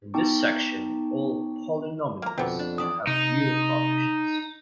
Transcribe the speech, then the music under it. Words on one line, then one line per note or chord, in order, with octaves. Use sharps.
In this section, all polynomials have real coefficients.
B3 D#4 G5 A5 C#6 D6
A#3 A#5
F2 B2 D3 B3 C4
D4
E2 D4 D5 D#6
C3 D#4